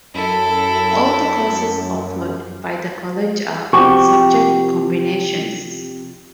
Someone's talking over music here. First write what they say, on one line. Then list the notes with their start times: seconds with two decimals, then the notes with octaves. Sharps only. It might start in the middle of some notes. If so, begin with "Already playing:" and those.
All the courses offered by the College are in subject combinations.
0.15 F#2 E4 A4
3.73 C3 F3 F#4 G4 C#6